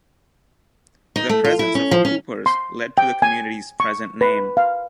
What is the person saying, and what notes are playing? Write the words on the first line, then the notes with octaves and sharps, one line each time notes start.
The presence of coopers led to the community's present name.
D#4
A3
F4
E4
C#4
F3
C#4
C6
G5
G#5
C#6
B4
F5